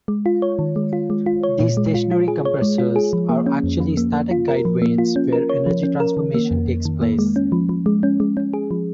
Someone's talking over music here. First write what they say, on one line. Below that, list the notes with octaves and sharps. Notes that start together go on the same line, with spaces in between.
These stationary compressors are actually static guide vanes where energy transformation takes place.
G#3
F4
C#5
D#3
G#3
F4
G#3
F4
C#5
A#2
G#3
F4
F4
G#4
C#5
G#3
F4
G#4
F3
A#3
C#4
F2
F3
A#3
A#3
F4
A#4
F3
A#3
F4
C#4
A#4
C#5
F3
C#4
A#4
D#3
A#3
F2
F2
D#3
A#3
G#3
C#4
F3
F3
G#3
C#4
G#3
C#4
G#4
F3